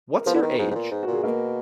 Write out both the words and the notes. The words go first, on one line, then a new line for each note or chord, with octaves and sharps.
What's your age?
A#4
F3 B3 B4
D3
D#3
G#2
G#2
A#2
G#2
A#2 F#4
G#4
B2 A#3 A#4